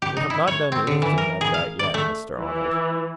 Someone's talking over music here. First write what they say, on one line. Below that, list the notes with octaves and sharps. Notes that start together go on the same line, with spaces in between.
"We have not done anything at that yet, Mr. Arnold."
G4
D#4
E4
C#5
C4
D3
E3
A#4
G#4
F5
D5
A3
E3